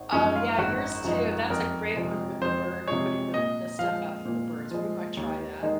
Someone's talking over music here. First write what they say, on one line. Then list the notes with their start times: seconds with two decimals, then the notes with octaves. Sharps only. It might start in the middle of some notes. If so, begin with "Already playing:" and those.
Oh, yeah, yours, too, that's a great one with the bir putting the the stuff out for the birds. We might try that.
Already playing: G#1
0.13 F#2 F3 G#3 C#4 D#4
0.35 F4
0.58 G#1 F#4
1.04 F#2 F3 G#3 D#4
1.50 F2 A#4
1.96 C3 F3 G#3
2.41 F2 C5
2.87 C3 F3 G#3 C#5
3.33 A#2 D#5
3.79 F3 G#3 F5
4.25 A#2
4.71 F3 G#3
5.17 D#2
5.63 D#3 G#3 D#4